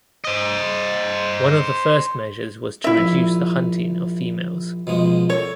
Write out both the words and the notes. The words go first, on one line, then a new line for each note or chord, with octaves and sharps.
One of the first measures was to reduce the hunting of females.
C5 D#5
E4 E5
A#1
B2 F3 G#3
A4 C#5